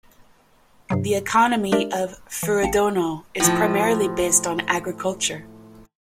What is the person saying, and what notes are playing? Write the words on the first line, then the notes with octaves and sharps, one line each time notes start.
The economy of Furudono is primarily based on agriculture.
G2 C3 F#3 C7
G#3 D4 G4 A#4 D5 E5
E3
A1 F5 G5 A5 C#7
A2 F3